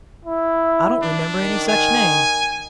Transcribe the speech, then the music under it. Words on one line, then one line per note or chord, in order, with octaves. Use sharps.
'I don't remember any such name!'
E4
D4
D#3
G#5